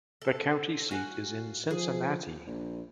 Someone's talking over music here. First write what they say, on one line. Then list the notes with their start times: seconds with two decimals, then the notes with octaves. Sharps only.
The county seat is Cincinnati.
0.22 A4
0.91 F#4 F5 G#5
1.70 F3 G#4
2.47 A#1